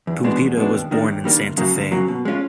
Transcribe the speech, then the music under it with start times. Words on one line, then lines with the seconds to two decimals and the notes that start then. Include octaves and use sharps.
Pumpido was born in Santa Fe.
0.07 E2
0.24 B2 G#3 B3 D4
0.40 E2
0.57 B2 G#3 B3 D4
0.74 D#2
0.91 D#3 G3 A#3 D4
1.08 D#2
1.24 D#3 G3 A#3 D4
1.41 D2
1.57 C#3 F#3 A#3
1.75 D2
1.92 C#3 F#3 A#3
2.08 B2
2.25 G#3 C#4 F4